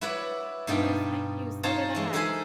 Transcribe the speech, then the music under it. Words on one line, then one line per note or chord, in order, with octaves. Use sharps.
Yes, thank you, so did I.
E4 F#4 B4 C#5 D5
G2 B2 D#4 F4 D5 G5
D#4 F4 C5 C#5 A5 A#5
E3 G#3
D#4 A4 A#4 C5 G#5 B5